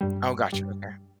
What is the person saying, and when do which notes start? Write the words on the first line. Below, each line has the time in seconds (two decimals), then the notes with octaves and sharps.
Oh, gotcha, okay.
0.01 G2 G3
0.52 G2 G3